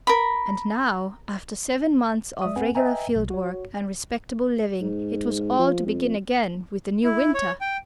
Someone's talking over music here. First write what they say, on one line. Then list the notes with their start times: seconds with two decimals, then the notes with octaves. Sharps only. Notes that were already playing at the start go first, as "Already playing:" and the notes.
And now, after seven months of regular field-work and respectable living, it was all to begin again with the new winter!
0.07 A#4 B5
2.42 G#3 D5 E5 D#6
2.56 C4 G#4 B4 F#5 G#5
2.75 B4 D#5 E5 G5 G#5 A#5
3.16 B1
3.30 F#4 C#5
4.81 G#2
5.59 F3
5.86 F2
7.04 E4
7.34 C#5
7.61 G5